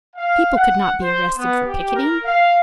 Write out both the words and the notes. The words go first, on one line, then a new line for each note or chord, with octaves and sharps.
People could not be arrested for picketing.
F5
F#5
C5
B3
G4
A#4
F5